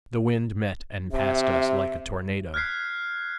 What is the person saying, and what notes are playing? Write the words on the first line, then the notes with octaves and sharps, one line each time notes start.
The wind met and passed us like a tornado.
C3 E5
F6 F#6 G#6 B6 C7